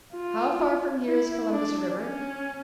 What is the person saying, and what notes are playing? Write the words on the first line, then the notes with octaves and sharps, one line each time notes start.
How far from here is Columbus River?
F4
E4
D4
C#4